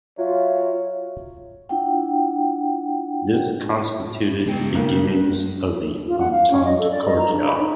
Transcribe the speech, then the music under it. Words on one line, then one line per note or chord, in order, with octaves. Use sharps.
This constituted the beginnings of the Entente Cordiale.
F#3 F4 C#5 E5
D4 E4 F4 F#5 G5
C#3 G#3 B3 G5
B1 A#3
F4
F#5
F5
C#4
D#5
A4
D5
D#5
A#5
D4
B5
D#4